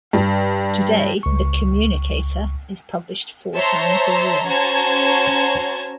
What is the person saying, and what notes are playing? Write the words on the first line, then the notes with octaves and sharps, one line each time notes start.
Today, The Communicator is published four times a year.
G2
C#2 C#6
C5 C#5 E5 A5 A#5 C6
C#4 F#4 C5 A5 A#5 G#6